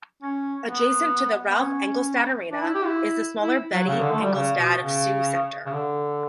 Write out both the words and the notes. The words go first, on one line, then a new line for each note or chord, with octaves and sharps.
Adjacent to the Ralph Engelstad Arena is the smaller Betty Engelstad Sioux Center.
C#4
B3
B3
C#4
D4
E4
G4
E4
E4
F#3
C#3
D3
A3
G3
C#3
B2
C#3
C#3
D3